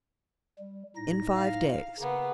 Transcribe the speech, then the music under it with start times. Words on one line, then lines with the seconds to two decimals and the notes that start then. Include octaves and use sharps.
"In five days."
0.58 G3
0.96 A2 D#4 A#6
1.36 F5
1.99 C#3 A#3 B3